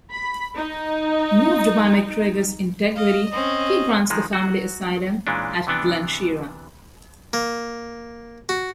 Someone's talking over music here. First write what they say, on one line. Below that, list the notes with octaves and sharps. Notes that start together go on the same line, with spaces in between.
Moved by MacGregor's integrity, he grants the family asylum at Glen Shira.
B5
D#4
D#5 F5
C4 C#4 D#5
D#3 F3 G#3
F#3 F#4
A#2 E3 G#3 C#4 D4
C3 E3 B3 D4
A#3
F#4